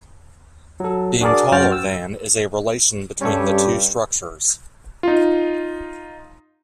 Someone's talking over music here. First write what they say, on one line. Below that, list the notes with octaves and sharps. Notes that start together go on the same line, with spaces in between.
Being-taller-than is a relation between the two structures.
F#3 A4
D4 F#4 G#4 A#4 D5
F#2 F#4 C5 G5 F6 A6
E6
G2 G3 C#4 A4 C#5
D#4 F4